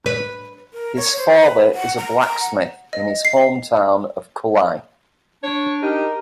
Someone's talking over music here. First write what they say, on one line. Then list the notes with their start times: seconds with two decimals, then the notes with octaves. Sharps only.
His father is a blacksmith in his hometown of Kulai.
0.06 B4
0.74 A#4
0.96 C#5
1.18 C5
1.40 B4
1.75 F#5
1.98 A#5
2.20 A#5
2.41 F#5
2.93 D#5
3.25 C7
5.43 D4 C#5
5.82 D#4 G4 A#4